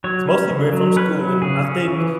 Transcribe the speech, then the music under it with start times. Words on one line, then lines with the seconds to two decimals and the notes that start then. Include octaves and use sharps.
it's mostly been from school, and I think
0.04 F#3 C#5
0.27 C#4
0.50 C#3
0.73 F#3
0.96 C#4 B4
1.19 F#3
1.42 C#3 G#4
1.65 C#4
1.88 E3